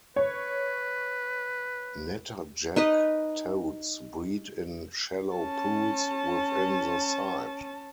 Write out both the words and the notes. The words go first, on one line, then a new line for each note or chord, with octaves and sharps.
Natterjack toads breed in shallow pools within the site.
B4 C#5
D#4 B4 D#5
C#4 A5